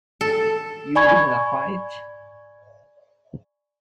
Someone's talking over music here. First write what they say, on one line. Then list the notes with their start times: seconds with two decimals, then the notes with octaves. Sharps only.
You been in a fight?
0.21 A4
0.95 D5 G#5 B5 C#6 G#6